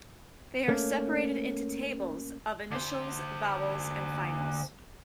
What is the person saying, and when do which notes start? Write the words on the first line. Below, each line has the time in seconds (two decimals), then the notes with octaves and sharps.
They are separated into tables of initials, vowels and finals.
0.68 A3 A#3 C#4
2.71 D3 C5